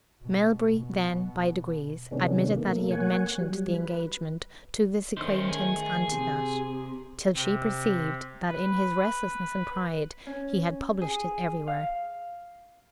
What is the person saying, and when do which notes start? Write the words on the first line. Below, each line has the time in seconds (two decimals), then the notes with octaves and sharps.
Melbury then by degrees admitted that he had mentioned the engagement to this acquaintance and to that, till she perceived that in his restlessness and pride he had published it everywhere.
0.22 B2
0.76 B2
2.11 C3 D#3 G#3 B3 C#4 D4
2.55 B2 A3 A#3
2.91 A#3 C#5 F#5 G#5
3.39 F#3 G3
3.74 B4
5.17 D#3 A3 C#4 C5
5.49 G#4
6.12 C3
7.34 C3
8.47 B4
10.27 C#4
11.02 G#4
11.68 F5